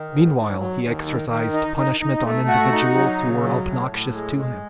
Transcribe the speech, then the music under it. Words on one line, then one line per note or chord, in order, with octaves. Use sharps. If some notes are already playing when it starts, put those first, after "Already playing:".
Meanwhile he exercised punishment on individuals who were obnoxious to him.
Already playing: D#3
G#2
G#2
F#3
D#2
D#3
D#3
D#4
D#4
D#4
A3
F#4
D#4
F#3
C#3
F#3
A2
A2
G#3
G#3